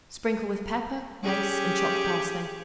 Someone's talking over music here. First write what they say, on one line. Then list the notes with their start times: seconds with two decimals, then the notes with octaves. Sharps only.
Sprinkle with pepper, mace and chopped parsley.
1.24 C#4 G4 G#4